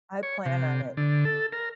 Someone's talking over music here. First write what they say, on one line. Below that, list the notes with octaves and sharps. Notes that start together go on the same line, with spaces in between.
I plan on it.
C#5
C3
D3
A4
A#4